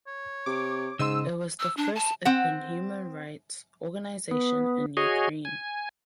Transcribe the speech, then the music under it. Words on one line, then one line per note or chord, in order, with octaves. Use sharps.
It was the first open human rights organization in Ukraine.
C#5
C3 D6
G#2 C#3 D#5 C6 E6
E6
D4
A5
C4 F#5
B3
F#4 G#4 C#5 D#5 G#5
G#5